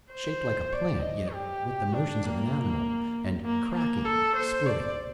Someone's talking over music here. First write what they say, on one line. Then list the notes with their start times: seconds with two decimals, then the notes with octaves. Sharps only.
Shaped like a plant, yet with the motions of an animal. And cracking, splitting.
0.12 C5
0.73 D5
1.02 D#5
1.33 G4
1.93 D4
2.24 A#3
3.45 A#3
3.74 A#3
4.05 A4
4.36 C5
4.66 D5